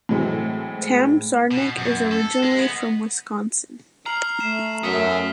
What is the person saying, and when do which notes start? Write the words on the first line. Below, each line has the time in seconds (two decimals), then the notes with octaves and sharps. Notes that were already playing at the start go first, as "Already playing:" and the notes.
Tam Czarnik is originally from Wisconsin.
0.09 A2 E3 F#3 G#3 C4
1.51 B2
1.78 F#2
2.12 A4
2.43 G#3
2.58 B3
4.06 A#5 F6 C7 F#7
4.40 A3 C7 E7
4.83 F#2 B3 E5 D#6 B6 G7